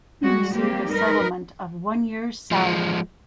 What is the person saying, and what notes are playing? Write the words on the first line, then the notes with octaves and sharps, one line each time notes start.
He received a settlement of one year's salary.
G3 G#3 F#4
G3 A#3 C4 G4
D#4 A#4 B4
F3 G#3